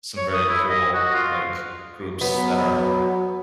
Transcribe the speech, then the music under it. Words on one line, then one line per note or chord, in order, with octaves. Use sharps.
some very cool, like, groups that are
C#5
D#6
E4
D#5
F#4
F4
F#3 B3